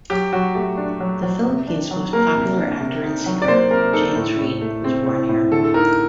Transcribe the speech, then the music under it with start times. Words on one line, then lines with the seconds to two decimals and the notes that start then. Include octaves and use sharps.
The Philippine's most popular actor and singer James Reid was born here.
0.10 F#3 G4
0.33 F#3 F#4
0.55 A3 G4
0.77 D4
1.00 F#3
1.23 F#3
1.45 C3
1.67 D4
1.91 F#3
2.13 A#3 A#4
2.35 C3
2.58 D4
2.80 C3
3.03 D#4
3.26 F#3
3.42 D5
3.48 A#3 C5
3.71 C3 A#4
3.93 D#4 A4
4.16 A2
4.39 A2
4.61 A3
4.84 C4
5.06 A2
5.29 A2
5.51 D3 A4
5.65 A4
5.74 D#4 A#4